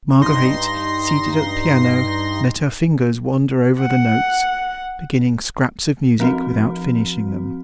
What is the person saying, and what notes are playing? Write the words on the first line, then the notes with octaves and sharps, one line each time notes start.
Marguerite, seated at the piano, let her fingers wander over the notes, beginning scraps of music without finishing them.
G2 D#4 C6 A#6
F#5
F3 C4 F#4